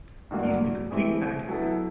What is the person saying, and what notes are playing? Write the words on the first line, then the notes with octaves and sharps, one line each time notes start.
He's the complete package.
G2 D3 F#3 A#3
E3 A3 C4 E4 G#4
F#3 B3 E4 A4